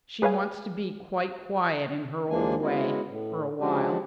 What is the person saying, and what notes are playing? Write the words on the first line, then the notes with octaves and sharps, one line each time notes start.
She wants to be quite quiet in her old way for a while.
G#4 B4 C#5 F5 G#5
D#2 F3 G#3 A#3 D4 G#5
G#3 B3 C#4 E4 F#4
A2
F3 G#3 C#4 D4 F#4 G4